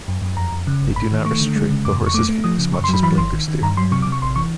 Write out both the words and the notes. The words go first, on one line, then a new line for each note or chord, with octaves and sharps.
They do not restrict the horse's view as much as blinkers do.
F#2
F#2
F2 A#5
F2
C#3
G1
G#2 B5
D#3
A3 C#6
D3
G#3
C#3
F2 D6
F2
C#6
A3 D6
A3
F3 D#6
C#3
F#2 C#6
C6
F#3 B5
E3 B5
G#1 C6
D#3
D#3
G2 A#5
F#3 C6
C3 C#6
D6
C3
C#6
A1 C6
E3 C#6